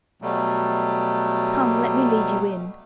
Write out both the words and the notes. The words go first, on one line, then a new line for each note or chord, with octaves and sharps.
Come, let me lead you in.
B2 F#3 G3 A3